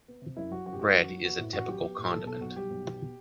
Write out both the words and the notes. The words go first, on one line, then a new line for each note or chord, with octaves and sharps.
Bread is a typical condiment.
B3
C3
F#2 E4
F#3 F#4
F#2 F#4
G4
A3 F#4
F#2
F#3
B3 F#4
A2 E4
A1 F#4
F#3 G4
B3
A2
B1 A4
B2 A4
B1 F#4
G3 G4
B1
B2